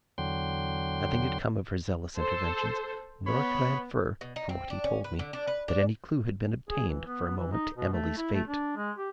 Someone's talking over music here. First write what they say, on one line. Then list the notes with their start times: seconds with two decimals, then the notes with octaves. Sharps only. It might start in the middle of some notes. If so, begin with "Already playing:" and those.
Nothing had come of her zealous intervention; nor could I infer, from what he told me, that any clue had been obtained, for a moment, to Emily's fate.
0.18 E2 D3 F#3 G5 C6
2.17 A4 C5
3.27 B3 C#5 B5
4.21 B2
4.36 D#4
4.49 C4
4.70 D4
4.84 C#4
5.04 B4
5.19 D3
5.33 D4
5.47 B4
5.68 D4
6.69 G#4
6.88 E3
7.06 B3
7.37 E3
7.52 D#4
7.77 B2
7.93 A3
8.17 E4
8.33 A3
8.48 D4
8.76 G#3
8.98 G4